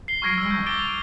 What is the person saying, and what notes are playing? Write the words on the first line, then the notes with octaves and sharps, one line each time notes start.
I know.
C7 G7
C#6 F6 G#6 A#6 C7 D7
E6 C7
G6 A#6
D6 A6 D7 G7
F7